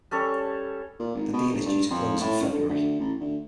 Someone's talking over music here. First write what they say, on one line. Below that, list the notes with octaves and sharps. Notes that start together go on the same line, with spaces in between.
The deal is due to close in February.
G3 C#4 A4 C#5
A#2
G#1
B2
G1
G2
F2
A2
C#2
D3
D2
A1
D2